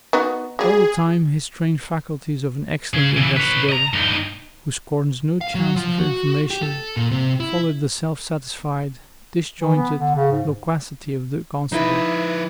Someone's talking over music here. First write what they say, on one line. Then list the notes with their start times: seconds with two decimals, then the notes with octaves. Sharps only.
All the time his trained faculties of an excellent investigator, who scorns no chance of information, followed the self-satisfied, disjointed loquacity of the constable.
0.13 B3 D#4 F#4
0.59 F#3 G3 G#4
2.94 C#3 G#4
3.17 C#3 E3
3.37 B4 C#5
3.69 D#5 A#5
3.94 G2 D#4
5.41 F5
5.55 F#3
5.76 F3
5.98 F#4
6.50 G4
6.63 A4
6.97 A#2
7.11 C3
7.40 E4
9.60 E3
9.76 B3
9.98 D3
10.15 C#3
10.32 G#2
11.72 F3 D#4 E4 B4 D5